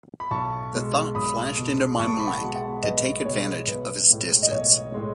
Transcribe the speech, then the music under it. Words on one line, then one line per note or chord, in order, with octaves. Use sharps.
The thought flashed into my mind to take advantage of his distance.
B5
B1 A5 C#6
B2 G#3
B1 B5 D#6
B2 G#3
B1 A5 C#6
B5
F#5 A5
B2 G#3
F#5 A5
B1 B4 D#5
B2 G#3 C#5
B1 B4
A2 G#3
D#5
B1 C#5
A2 G#3